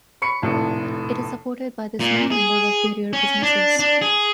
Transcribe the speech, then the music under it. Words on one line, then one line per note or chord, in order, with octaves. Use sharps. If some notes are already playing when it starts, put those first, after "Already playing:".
It is supported by the small number of Brier businesses.
B5 C#6 C#7
F1 A#1 A2
A#2
G#4
C#4
D4
D4
G#4